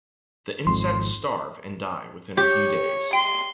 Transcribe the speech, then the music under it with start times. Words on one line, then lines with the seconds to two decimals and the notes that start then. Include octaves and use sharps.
The insects starve and die within a few days.
0.67 G#1 F2 C6
2.37 G4 C#5
3.13 G5 C6